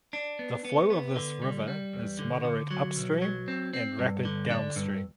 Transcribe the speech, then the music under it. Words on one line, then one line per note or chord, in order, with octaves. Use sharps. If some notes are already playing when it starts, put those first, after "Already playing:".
The flow of this river is moderate upstream and rapid downstream.
D4
B3
B3
B3
D3
G3
G3
E2
D3
D3
F#3
B1
F#3
C4
C4
G2
D3
D4
G2